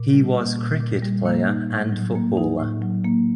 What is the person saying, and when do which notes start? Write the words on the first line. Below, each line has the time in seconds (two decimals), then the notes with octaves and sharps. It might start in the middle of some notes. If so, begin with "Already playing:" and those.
He was cricket player and footballer.
Already playing: A#2
0.13 G3
0.35 A#3
0.59 A#2
0.80 A#2
1.02 G3
1.25 A#3
1.48 D#4
1.70 A2
1.92 F#3
2.15 A#3
2.37 D#4
2.59 A2
2.82 F#3
3.04 A#3